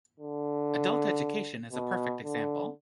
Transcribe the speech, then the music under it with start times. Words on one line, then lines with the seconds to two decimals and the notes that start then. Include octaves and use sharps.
'Adult Education' is a perfect example.
0.20 D3
1.72 B2
2.24 D3